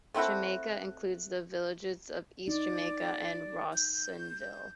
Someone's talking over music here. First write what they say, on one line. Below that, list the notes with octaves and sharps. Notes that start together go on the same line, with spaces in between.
Jamaica includes the villages of East Jamaica and Rawsonville.
A3 C4 E4 F#4
D#4 D5
G6